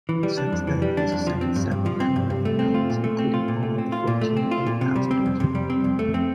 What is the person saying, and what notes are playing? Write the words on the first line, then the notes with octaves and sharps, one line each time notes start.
Since then he ascended several Himalayan mountains including all the fourteen eight-thousanders.
E3
G3
D4
F2
E3
G3
D4
F2
F3
C4
G2
G2
F3
C4
G2
G2
A3
C4
F4
A#2
A3
C4
F4
A#2
A3
C4
F4
A#2
A3
C4
F4
A#2
C3
G3
C4
F2
C3
G3
C4
F2
A3
C4